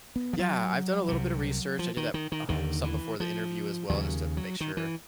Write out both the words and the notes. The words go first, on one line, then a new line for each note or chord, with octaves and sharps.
Yeah, I've done a little bit of research. I did that, um, some before the interview as well just to make sure
B3
F3
F#3
C2 C3
F3
D#3
D#3
D#3
D#2 D3 D#3
E3
F3
D#2 C#3 F#3
F#3
D#3
E3